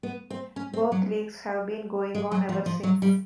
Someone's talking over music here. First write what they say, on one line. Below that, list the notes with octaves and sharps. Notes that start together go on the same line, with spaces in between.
Both leagues have been going on ever since.
B3
C4
C#4
C4
F#3
G#3
F#3
F3
F3
F#3
G3